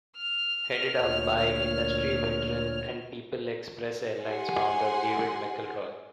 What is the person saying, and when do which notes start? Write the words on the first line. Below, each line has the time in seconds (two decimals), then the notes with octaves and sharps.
Headed up by industry veteran and People Express Airlines founder David McElroy.
0.17 F6
0.96 D2 A#2 C#5
4.24 G4 F#5 G#5 C6